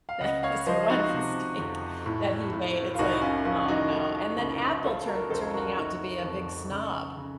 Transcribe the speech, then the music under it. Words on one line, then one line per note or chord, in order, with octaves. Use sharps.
That is one mistake that he made. It's like, "Oh, no," and then Apple turn turning out to be a big snob,
F5
C#2 D#5 F#5
C#5 F5
F3 C5 D#5
D#4 F#4
C3
F2
A2
A2
F4
C2 D#4 F#4
C#4 F4
F3 C#4 F4
D#4 F#4
A3
C#2
A3 F4 A4
F#4 A#4
F1 A4 C5
F#4 A#4
A3 D#4 F#4
F2
C#3
C#3